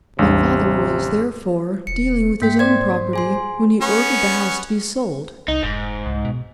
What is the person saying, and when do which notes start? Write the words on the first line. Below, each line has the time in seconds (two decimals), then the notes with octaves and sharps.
My father was therefore dealing with his own property when he ordered the house to be sold.
0.19 A1 E2 C3 G3 D4
1.87 E1 C#7
2.42 G#2 A#3 G5 B6
2.59 C5 D5 G#6
3.13 G#4 G#5 C6
3.82 B3 C#4 C#6
5.48 C2 D#4
5.63 F1 G#2
6.06 C2
6.25 B2